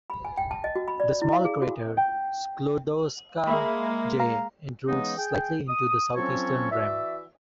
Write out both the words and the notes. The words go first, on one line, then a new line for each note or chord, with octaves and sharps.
The small crater Sklodowska J intrudes slightly into the southeastern rim.
B5
G#5
G5
A5
D#5
F#4
B5
D5
E4
F5
G#4
F#4
G5
G#3 A#3 E5 B5
F5 A#5
C#3 E3 G#3 B3 D#4
G#4 G5
D#6
F3 F#3 C4 C#4 A4 C#5
E3 F#4 D5 E5